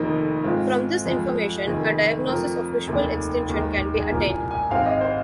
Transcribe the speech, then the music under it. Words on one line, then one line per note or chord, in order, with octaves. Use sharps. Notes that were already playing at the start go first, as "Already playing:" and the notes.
From this information, a diagnosis of visual extinction can be attained.
Already playing: F1 F2 D#3 A#3 D#4
G#2 G#3 C4 F4
F2 F3 G#3
F1 F2 D#3 A#3 G#4
F2 F3 C4 A#4
F1 D#2 D#3 A#3 G#4
D#2 D#3 G#3 A#4
G#4
C2 A#2 A#3 A#4
G#5
G#5
G#1 G#2 G#3 C4 F5
D#5
C5